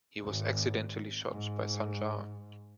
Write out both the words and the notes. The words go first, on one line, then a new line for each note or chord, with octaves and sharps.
He was accidentally shot by Sanjar.
G#1
G#2